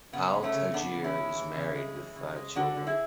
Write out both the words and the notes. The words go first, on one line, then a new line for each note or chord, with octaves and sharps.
Al Tajir is married with five children.
C#3 B3
G#3
A3 C#4
C#3
C#3 B3 D4
C#3
C#4 E4
G#3
E3
C#3
G#3
E3
C#3
G#3
D3 D4 F#4
D3
E4 G#4